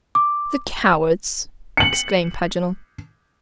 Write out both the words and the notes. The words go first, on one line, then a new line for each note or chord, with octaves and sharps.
"The cowards!" exclaimed Paganel.
D6
C#7 F#7